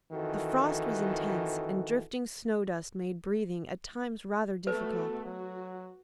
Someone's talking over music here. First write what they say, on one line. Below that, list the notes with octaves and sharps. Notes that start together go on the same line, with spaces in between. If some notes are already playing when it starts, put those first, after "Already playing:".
The frost was intense, and drifting snow dust made breathing at times rather difficult.
F2 D#3 E3 F#4 A4
A3 B3 F#4 A4 B4
F#3 F#4